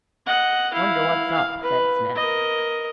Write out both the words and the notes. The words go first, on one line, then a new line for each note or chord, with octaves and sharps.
"Wonder what's up?" said Smith.
D#5 F#5
E4 F5
F5
B4
A#4 D#5